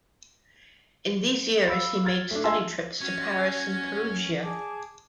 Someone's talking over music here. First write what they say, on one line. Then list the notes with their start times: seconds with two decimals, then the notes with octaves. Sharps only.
In these years he made study trips to Paris and Perugia.
1.65 F5 B5 E6
2.05 F6 G#6 A6
2.31 A3 D4
2.44 F4 E5 G#5 A5 C6 E6
3.01 C#4 F#4 G#6
4.42 G#4 A5 D6